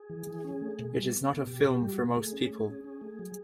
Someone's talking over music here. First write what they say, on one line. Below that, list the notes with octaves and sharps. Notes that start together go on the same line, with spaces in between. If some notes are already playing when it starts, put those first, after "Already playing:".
It is not a film for most people.
Already playing: G#4
E3
E3
C#4
A3
B2
G3
B3
B3
B2 G4
B2
G4
G3
F#4
B2
A3 G#4
C#4
A3
C#4
C#4
A3
F#3